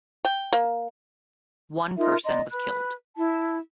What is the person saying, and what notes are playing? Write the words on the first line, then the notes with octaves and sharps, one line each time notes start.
One person was killed.
G5
A#3
D#4 F4 A#4 E5
D5 D#5 A#5 C6
B4 B5 F#6
E4 A5